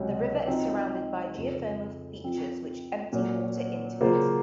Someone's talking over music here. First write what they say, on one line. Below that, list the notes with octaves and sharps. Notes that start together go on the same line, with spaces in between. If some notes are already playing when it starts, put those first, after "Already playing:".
The river is surrounded by geothermal features which empty water into it.
Already playing: C#2 C3 F#3 C#4
F3 C4 D#4 F#4
F2 C#3 F3
F3 C4 F4
A#2 F#3 C#4
C#3 F#3 A#3 F4 C5